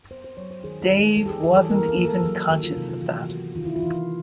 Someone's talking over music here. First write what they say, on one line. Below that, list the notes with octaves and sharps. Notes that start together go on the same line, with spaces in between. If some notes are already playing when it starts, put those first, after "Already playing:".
Dave wasn't even conscious of that.
B3 C5
C5
F#3 C#5
C5
D#3 G#4
G#4
D#3
A4
G3 A4
G4
G#4
E3 G#4
A4
A#3 A#4
A4
A#3
A4
F#3 G#4
D#3 F#4
F4
C3 D#4
F4
E3 F#4
G4
B3 F#4
D#3 F4
E4
F4
E3